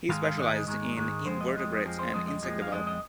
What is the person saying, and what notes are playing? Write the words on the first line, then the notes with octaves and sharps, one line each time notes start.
He specialized in invertebrates and insect development.
G#2 D#3 G#3 F5
F5
G#2 D#3 G#3 D#5
G#2 D#3 G#3
G#2 D#3 G#3
F2 F3 G#3 C5
D#5
F2 F3 G#3
F2 F3 G#3
C5
F2 F3 G#3 D#5
D#5
F2 F3 G#3
F5
F2 F3 G#3 D#5
D#5